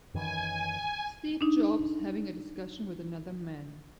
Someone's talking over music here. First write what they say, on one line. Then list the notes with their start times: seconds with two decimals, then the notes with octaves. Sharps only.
Steve Jobs having a discussion with another man.
0.14 F#2 D#3 E3 G#5
1.41 D4 D#4